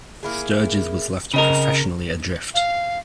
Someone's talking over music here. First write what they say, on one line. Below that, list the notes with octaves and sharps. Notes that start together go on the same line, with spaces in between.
Sturges was left professionally adrift.
A#3 E4 G#4
C#3 C4 D#4 A#4
F5